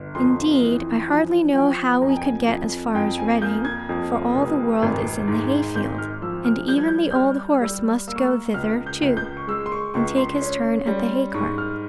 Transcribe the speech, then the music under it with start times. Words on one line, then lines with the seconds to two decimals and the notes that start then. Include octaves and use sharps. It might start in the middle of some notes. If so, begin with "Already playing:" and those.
Indeed I hardly know how we could get as far as Reading; for all the world is in the hay-field, and even the old horse must go thither too, and take his turn at the hay-cart.
Already playing: G1
0.15 F2 C6
0.62 E3
1.08 F3 G#5
1.55 F3 G5
2.02 F2 A#5
2.09 G#5
2.16 G5
2.23 G#5
2.48 F2 G#5
2.95 F2 G5
3.18 G#5
3.42 A#3 G6
3.65 G#6
3.89 F2
4.35 F1
4.82 G#1
5.28 G#2
5.75 G#1 G6
5.98 F6
6.22 F3 E6
6.45 F6
6.68 G3 G6
6.78 G#6
6.88 G6
7.11 G6
7.15 G3 F6
7.62 G3 E6
8.08 A#3 E6
8.16 C#6
8.24 E6
8.54 C#2 F6
8.86 G6
9.02 C#2
9.17 G6
9.37 C#6
9.47 G#3 E6
9.66 C6
9.72 C#6
9.94 C#2 C#6
10.18 C6
10.42 C#4
10.87 G3
11.34 G#2 C#6
11.58 F6